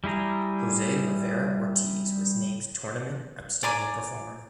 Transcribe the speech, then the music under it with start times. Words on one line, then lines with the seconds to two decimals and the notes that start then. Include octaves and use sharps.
Jose Rivera Ortiz was named Tournament Outstanding Performer.
0.04 G3 E4 G#4 A#5
3.63 D5 G#5 A#5 D6